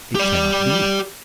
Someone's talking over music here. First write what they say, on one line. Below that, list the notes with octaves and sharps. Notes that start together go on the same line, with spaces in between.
"It cannot be!"
G4 D5